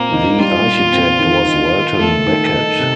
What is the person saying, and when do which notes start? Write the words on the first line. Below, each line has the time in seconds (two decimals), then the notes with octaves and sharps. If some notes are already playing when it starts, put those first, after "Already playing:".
The architect was Welton Becket.
Already playing: A#2 A#3 C4
0.12 D#4
0.39 G3 F4
0.66 A#2
0.92 C4
1.19 D#3
1.46 D#4
1.72 D#3
1.99 A3 A4
2.26 D#3
2.52 D#4
2.79 C3